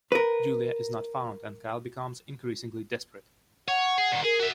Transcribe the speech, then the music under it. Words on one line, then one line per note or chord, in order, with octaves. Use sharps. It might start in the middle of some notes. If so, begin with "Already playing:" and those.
Julia is not found and Kyle becomes increasingly desperate.
A#4 B4
C#5 F#5
G#4
A#2 D#3
G#4 A#4
F#4 E5